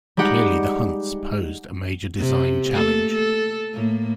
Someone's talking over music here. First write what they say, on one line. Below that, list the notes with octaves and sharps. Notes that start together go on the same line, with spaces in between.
Clearly the Hunts posed a major design challenge.
G3 G#3 D#4 G4 F#5
C3
A3 A#3 A4
A4
A2 A#3